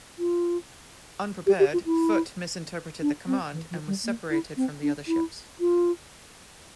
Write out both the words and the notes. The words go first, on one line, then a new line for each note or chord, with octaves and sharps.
Unprepared, "Foote" misinterpreted the command and was separated from the other ships.
F4
G4
G4
F4
E4
D4
C4
E3
F3
G3
A#3
E4
C4
D4
E4
F4